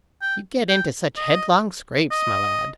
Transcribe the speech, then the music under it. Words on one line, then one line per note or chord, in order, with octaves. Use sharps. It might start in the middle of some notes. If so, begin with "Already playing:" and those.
"You get into such headlong scrapes, my lad."
G5
G5
D#5
D#5